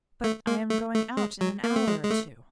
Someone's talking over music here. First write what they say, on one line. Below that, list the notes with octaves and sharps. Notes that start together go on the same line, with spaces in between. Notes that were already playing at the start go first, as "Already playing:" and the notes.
But I am going out in an hour or two.'
A3
A#3
A3
A3
G#3
F#3
A#3
A3
G#3
G#3
A3